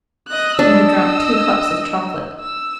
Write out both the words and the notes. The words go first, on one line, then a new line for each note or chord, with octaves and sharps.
He had drunk two cups of chocolate.
D#5 F#6
D4 D#5 E6
E6